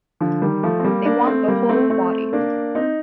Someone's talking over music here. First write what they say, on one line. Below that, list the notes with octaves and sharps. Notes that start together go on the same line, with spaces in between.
They want the whole body.
D3 F3
D#3 G3
F3 A3
C4
G3 A#3
A#3 D4
A3 C4
G3 A#3
A3 C4
A3 C4
A#3 D4
C4 D#4